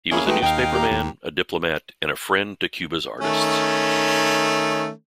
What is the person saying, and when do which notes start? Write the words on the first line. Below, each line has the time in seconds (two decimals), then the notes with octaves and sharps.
He was a newspaperman, a diplomat, and a friend to Cuba's artists.
0.11 A#3 C#4 G#4 E5 B5
0.27 G#3 A3 D#4 F#4 B4 G5
0.42 D#2 D#4 F5 G5
0.58 G5 G#5
0.73 G4 A#5
0.91 D#2
3.20 D#3 A3 C#4